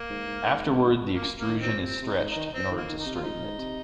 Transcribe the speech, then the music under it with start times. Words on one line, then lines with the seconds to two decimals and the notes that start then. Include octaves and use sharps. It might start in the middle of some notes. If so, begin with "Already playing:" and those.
Afterward the extrusion is stretched in order to straighten it.
Already playing: A#3
0.10 G#2
0.27 G#2
0.45 G#2
1.14 A#3
1.38 A#3
1.49 D#3
1.61 C4
1.83 C3 C4
2.01 C3
2.06 D#4
2.18 G#2
2.30 D#4
2.36 D#3
2.45 D#4
2.53 C4
2.70 D#3
2.77 A#3
2.89 D#3
2.99 D#4
3.06 C3
3.15 F4
3.23 G#2 D#4
3.33 F2
3.44 G#2
3.58 C3